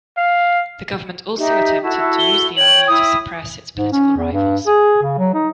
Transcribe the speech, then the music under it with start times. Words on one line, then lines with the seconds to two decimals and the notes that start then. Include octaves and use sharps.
The government also attempted to use the army to suppress its political rivals.
0.17 F5
1.38 D#4 G4 E5
1.83 E4 F#4 A4
2.19 G7
2.56 C#5 G5 F#7
2.88 E4 G5 D#6
3.76 G#2
3.92 C#4
4.16 E2
4.32 G2
4.67 G#4
5.03 C#3
5.18 F#3
5.34 D#4